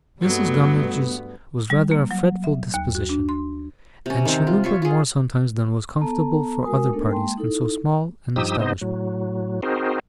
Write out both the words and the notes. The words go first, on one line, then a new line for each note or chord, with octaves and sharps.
Mrs. Gummidge's was rather a fretful disposition, and she whimpered more sometimes than was comfortable for other parties in so small an establishment.
G2 F#3 A3 B3
G3
A#3
F#3
E5
D#2
F#4
D4
C6
C3 C#4
D#3 C4
F4
F4 C#5 E5
F4 G#4
B3 A4 A5 A#5
G#3 F#4 A#4 G#5 D#6
A3 B3 D4 D#4 A4 A#4
G#3 A#3 G5 A5 C6
D#4 E4 A4
G2 F3 D#4 G4 D#6 E6
C3 B3 D#4 C5 D#5
A2 F#3
C4 D#4 F#4 G#4 A#4 C5